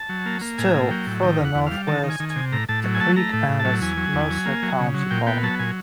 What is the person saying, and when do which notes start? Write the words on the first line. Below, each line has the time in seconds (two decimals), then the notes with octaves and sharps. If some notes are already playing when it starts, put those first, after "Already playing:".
Still further northwest, the creek enters Mercer County Park.
Already playing: A5
0.09 F#3
0.26 A#3
0.41 A#3
0.58 A2 G#5
0.74 A#3
0.91 F#3 G5
1.07 A2
1.23 D#3 G5
1.39 E2
1.45 F#5
1.55 E2
1.66 G3 F5
1.87 D#3 A5
2.03 D#3
2.10 G#5
2.20 D#3
2.30 G#5
2.36 C3
2.52 A2 A#5
2.69 A2 A5
2.84 F#3
2.95 G#5
3.00 A3 A5
3.16 A3 A#5
3.33 A2
3.49 A2
3.60 A5
3.65 F#3
3.81 E2 G#5
3.97 F#3
4.14 E2
4.30 F#3
4.46 A#3
4.63 F#3
4.79 C#3
4.94 F#3
5.11 A#2 G5
5.27 B3 G5
5.43 F#3 A5
5.59 A#2 G#5